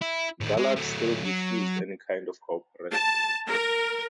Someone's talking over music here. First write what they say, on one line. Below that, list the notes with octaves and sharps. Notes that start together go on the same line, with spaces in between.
Galard still refused any kind of cooperation.
E4
A2 D#3
G#3
F#3 A3
F#3
A5
A#4